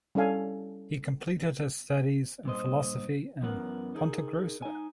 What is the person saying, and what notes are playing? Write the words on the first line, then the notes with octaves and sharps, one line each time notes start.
He completed his studies in philosophy in Ponta Grossa.
G3 C#4 E4 A4 F5 G#5
G2 A#2 C5 D#5
F#2 E3 B3 A#4 F#5
D#4 G#4 A#4
D#4 G#5